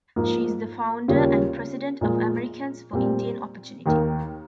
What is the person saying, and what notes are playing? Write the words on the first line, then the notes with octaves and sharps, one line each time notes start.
She is the founder and president of Americans for Indian Opportunity.
G#2 F3 A#3
D#2 C#3 G3 C#4 F4
A#2 F3 G#3
A#2 G3 C4
D#2 D#3 A#3